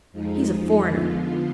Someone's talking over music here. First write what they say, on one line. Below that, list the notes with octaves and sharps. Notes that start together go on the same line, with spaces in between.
He's a foreigner.
F2 F3 G#3 D#4
D3 F3 B3 F4